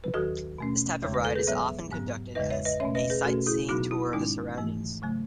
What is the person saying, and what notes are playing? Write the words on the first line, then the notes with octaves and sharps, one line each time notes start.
This type of ride is often conducted as a sightseeing tour of the surroundings.
B4
D#2 D#3 F#3 F#4 A4
B2 A3 C#4
E2 C#3 G#3 C#5
B4
A4
G#4 B4
A2 F#3 B3 C#5 E5
G#2 F#3 B3
E2 C#3 G#3 B4 D#5
C#5 E5
B4 D#5
B2 A3 C#4 C#5 E5
B4 D#5
G#4 B4
B2 A3 C#4 F#4 A4
E4 G#4
B2 F#3 B3 D#4 F#4
E4
G#2 D#3 G#3 C#4 D#4
G#2 E3 A3
C#3 F#3 A3